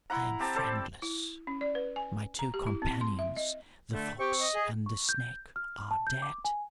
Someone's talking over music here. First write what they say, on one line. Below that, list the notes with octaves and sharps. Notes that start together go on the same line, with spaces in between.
I am friendless: my two companions, the fox and the snake, are dead.
E4 F#5 A#5
C4 G4 A5 A#5
A4 C5 D5
E4
C#4
D5
B4
G#5
A#5
G4
E4
C4
C6
E5
D#5
D3 A3
C4 G4 C#6
D#5
G#4
C#6
G6
F6
A5
G6
D6
G#5